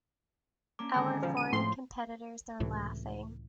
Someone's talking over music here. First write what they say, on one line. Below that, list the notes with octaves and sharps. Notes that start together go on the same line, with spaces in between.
Our foreign competitors are laughing.
A#3 C#4 D4 D6
G#2 D3 D#3 C#4 G#5
F2 B2 F3
E2 D#7
A2 F3 C6
C#2 A2 C3 E3